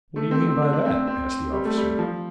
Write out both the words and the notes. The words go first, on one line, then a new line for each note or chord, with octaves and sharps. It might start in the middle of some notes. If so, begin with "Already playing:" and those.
"What do you mean by that?" asked the officer.
A3
C4
C4
D4
D4
C4
C4
G3
A3
G3
F3